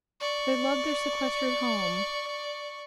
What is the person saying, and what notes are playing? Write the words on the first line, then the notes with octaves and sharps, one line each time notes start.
They loved their sequestered home.
D5 C#6